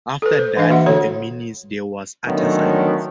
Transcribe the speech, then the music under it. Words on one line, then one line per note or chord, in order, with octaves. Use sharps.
After that for a minute there was utter silence.
A4 B4
C5
E3 D4 D#5 F5
E3 A#3 F#4 E5 F#5
D3 F#4 A4 C#5
D3 D#3 F#3 A3 B3 C#4